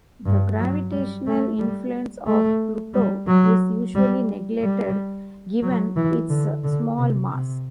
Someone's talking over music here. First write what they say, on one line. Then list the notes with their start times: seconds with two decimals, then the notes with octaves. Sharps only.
The gravitational influence of Pluto is usually neglected given its small mass.
0.25 G2
0.59 F#3
0.92 G3
1.26 A3
1.59 G3
2.27 A3
2.94 G3
3.27 F#3
3.95 G3
4.62 G3
5.62 F#3
5.96 E3
6.29 D3
6.64 D3
6.98 C3
7.30 C3